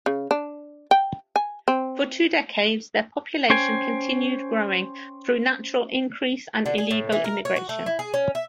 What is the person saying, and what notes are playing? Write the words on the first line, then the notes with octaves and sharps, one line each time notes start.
For two decades, their population continued growing through natural increase and illegal immigration.
C#3
D4
G5
G#5
C4
C#4 C5 G5 G#5
D3
G#4
A2
E3
A#4
C#5
F#4
A3
E4
G#4
C#4
E5